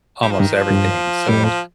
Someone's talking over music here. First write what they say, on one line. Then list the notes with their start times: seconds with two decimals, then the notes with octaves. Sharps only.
almost everything, so,
0.23 G3
0.31 F3
0.40 G2 D#3
0.54 F3
0.70 G2
1.29 A2 G3
1.45 F3